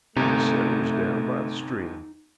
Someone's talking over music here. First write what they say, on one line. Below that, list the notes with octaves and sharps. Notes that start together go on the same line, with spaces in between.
He said it was down by the stream.
G1 D#2 C3 A3 D#4 A#5